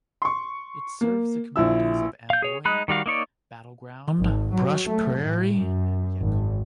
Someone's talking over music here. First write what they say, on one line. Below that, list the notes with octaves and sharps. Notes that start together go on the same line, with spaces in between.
It serves the communities of Amboy, Battle Ground, Brush Prairie and Yacolt.
C6 C#6
A#3
A#1 E4 E6
F5 G6
G#4 C#5
G#3 D#4 B5 F#6
D#3 G3 F#4 F5
A#3 D#4 C#5 D5
G#1
F#3
A3
A2
F#2
G#1